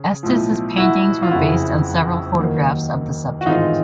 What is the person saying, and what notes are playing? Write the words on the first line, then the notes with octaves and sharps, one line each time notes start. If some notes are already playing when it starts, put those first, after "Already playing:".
Estes's paintings were based on several photographs of the subject.
Already playing: C#3
B1 A2 F3
E4 F#4
F4
F#1 F2 C#3 E4 F#4
D#2 D#3 F#3 A#3
F#4
A1 G#2 D#3 G#3 C4 D#4 F4